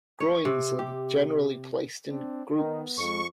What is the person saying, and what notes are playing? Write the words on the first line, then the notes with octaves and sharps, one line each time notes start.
Groynes are generally placed in groups.
C#5
C3
G4
C4 D4
D#3 B3
F2 G#3 C#6